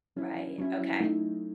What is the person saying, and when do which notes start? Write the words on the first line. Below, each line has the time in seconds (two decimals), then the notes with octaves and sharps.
Right. Okay.
0.16 F#3 C#4 E4
0.58 F#3 C#4 E4
1.01 F#3 A3 D#4